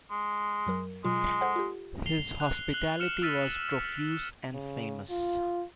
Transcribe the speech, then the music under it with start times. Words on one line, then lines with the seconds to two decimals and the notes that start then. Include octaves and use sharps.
His hospitality was profuse and famous.
0.11 G#3
0.67 F#2 F#3 A#4
1.05 B2 F#3 G#3 F4
1.41 A4 C5 F#5
1.56 F4 G4
2.06 C7 F7 G7
2.40 F#6 F7
2.71 F#6 F#7 G7
3.00 F6 C#7 E7
3.22 E6 F6 A6 B6 D#7
4.54 C#3
5.10 F4